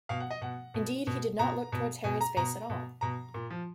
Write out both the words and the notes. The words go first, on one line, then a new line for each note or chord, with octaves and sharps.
Indeed, he did not look towards Harry's face at all.
B2 F5
F#5
D#5
B2 F#5
B2
B2
B2 A#5
B2
B2 G#5
A#5
B2 A#5
B2
B2 A#5
A#2
F3